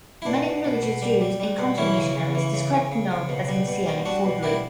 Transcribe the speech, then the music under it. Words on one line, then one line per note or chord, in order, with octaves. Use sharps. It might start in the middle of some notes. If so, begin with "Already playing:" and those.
Many religious Jews and counter missionaries discredit the note as a Messianic forgery.
E4
B2 D4
B2
B2
B2
G3
G3
G3
B2
E3 C#4 E4
C#3
C#3
E3
C#3
C#3
C#3
C#3
B2
G3
B2
G3
G3 D4 F#4
B2
G3 E4 G4